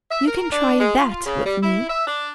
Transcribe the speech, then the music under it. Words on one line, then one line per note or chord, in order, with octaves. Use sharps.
You can try that with me.
E5
A#4
D4
G#3
F4
C#3
G3
E4
E5
D4